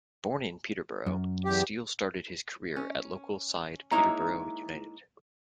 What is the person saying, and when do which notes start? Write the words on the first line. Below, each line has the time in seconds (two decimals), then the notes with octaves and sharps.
Born in Peterborough, Steele started his career at local side Peterborough United.
1.06 F#2
1.45 E2 G4
2.76 C#4
3.91 G#3 A#3 D#4 E4 C#5 A#5